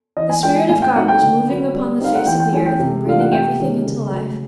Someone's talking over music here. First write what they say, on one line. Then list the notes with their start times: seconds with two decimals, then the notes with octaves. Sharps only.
The Spirit of God was moving upon the face of the earth, and breathing everything into life.
0.17 E3 D#5
0.29 G#5
0.43 G#3 B3 D4 F4 G5
0.56 G#5
0.69 A2 G#5
0.82 G5
0.95 F#3 A3 C4 D#4 F#5
1.08 G5
1.22 D3
1.48 F#3 B3
1.74 G3
2.00 C4 D#4 F5
2.15 F#5
2.26 E3 G5
2.40 G5
2.53 A3 C#4 E4 G#5
2.66 G5
2.79 C3
3.05 E3 A3 D4 F4 F5
3.20 F#5
3.32 C3 G5
3.58 D#3 G#3 C#4
3.85 C#3
4.11 F#3 A3